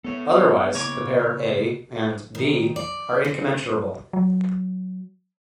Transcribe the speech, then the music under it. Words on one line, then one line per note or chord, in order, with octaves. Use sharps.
Otherwise the pair "a" and "b" are incommensurable.
B3 A4 C#5
C#3 A#3 C#5 D6
D#3
D5
C4
F#3